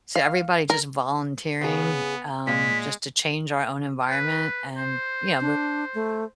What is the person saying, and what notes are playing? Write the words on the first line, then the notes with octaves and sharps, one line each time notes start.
So everybody just volunteering, um, just to change our own environment and, you know,
F5
A#4
C#3 B3 G#4
A#2 G#3 B6
B4
C5
D4
A3